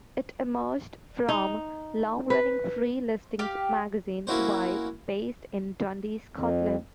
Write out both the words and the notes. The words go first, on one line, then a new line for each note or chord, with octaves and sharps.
It emerged from long-running free listings magazine "Vibe" based in Dundee, Scotland.
D#4
B4
G4 F5
A#3 C#4 E4 F#4 C5
F2